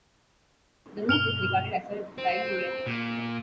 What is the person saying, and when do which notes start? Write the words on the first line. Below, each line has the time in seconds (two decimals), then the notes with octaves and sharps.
The root is regarded as a diuretic.
1.09 G2 B2 F6 F7 G7
2.18 C4
2.87 A#2